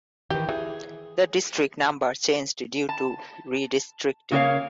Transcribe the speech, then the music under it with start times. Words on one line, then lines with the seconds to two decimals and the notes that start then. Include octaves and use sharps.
The district numbers changed due to redistricting.
0.30 D#3 E3 G4
0.49 E3 G#4
2.89 A5
4.31 C#3 A#3 F#4 C#5 F5